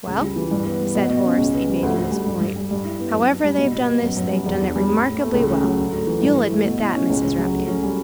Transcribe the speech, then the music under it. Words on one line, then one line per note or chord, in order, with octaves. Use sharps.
"Well," said Horace, evading this point, "however they've done this, they've done it remarkably well--you'll admit that, Mrs. Rapkin?"
C#2
G3
E3
G2
B3
G3
B2
B2
C#4
C#2
B3
G3
D2
D2
G3
G2
G2
G3
G2
E4
B3
F#2
D4
G3
B2
B2
B3
F#2
F#2
G3
E2
D4
G3
A2
A2
A3
C#2
C#4
F#3
D2
D2
E3
G2
E4
A3
B2
E4
C#4
C#2
C#2
F#3
D2
C#4
G3